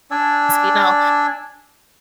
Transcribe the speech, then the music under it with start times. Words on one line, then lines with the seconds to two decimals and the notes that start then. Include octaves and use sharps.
you know?
0.11 D4 D5 G#5 E6